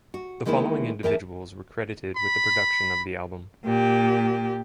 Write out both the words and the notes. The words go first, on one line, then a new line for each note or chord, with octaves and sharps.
The following individuals were credited with the production of the album.
F#4
D#3 G#3 A#3 B3 E4
E2 A#4 E5 G5 A5
B5
A#2 G4